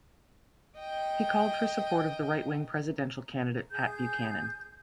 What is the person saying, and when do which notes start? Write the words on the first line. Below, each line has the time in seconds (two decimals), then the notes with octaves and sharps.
He called for support of the right wing presidential candidate Pat Buchanan.
0.79 D#5 G5
3.71 G#4 G6